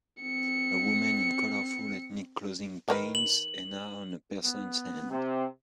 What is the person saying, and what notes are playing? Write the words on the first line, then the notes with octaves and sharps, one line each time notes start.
A woman in colorful ethnic clothing paints henna on a person 's hand.
C4 C#7
D#3 A#4 B4
F#7
B3
C3 C4